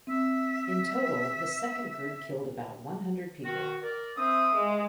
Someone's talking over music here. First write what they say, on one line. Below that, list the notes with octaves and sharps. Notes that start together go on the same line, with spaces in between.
In total this second group killed about one hundred people.
C4 E5
D#3 F#4
A#4 D5
C4 E5 D#6
G#3